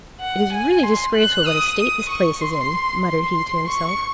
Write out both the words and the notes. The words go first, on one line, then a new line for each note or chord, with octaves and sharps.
"It is really disgraceful what a state this place is in," muttered he to himself.
F#5
G#5
C6
F#6
D#6
D#6
C#6
C6
C6
C#6